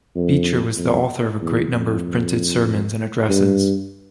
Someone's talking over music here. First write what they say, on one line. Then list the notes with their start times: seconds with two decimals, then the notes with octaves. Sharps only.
Beecher was the author of a great number of printed sermons and addresses.
0.15 F2
0.77 F2
1.41 E2
1.72 F2
3.29 G2